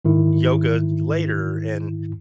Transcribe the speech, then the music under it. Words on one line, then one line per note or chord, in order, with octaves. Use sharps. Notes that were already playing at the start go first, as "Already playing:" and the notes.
yoga later and
G#2 D#3 E4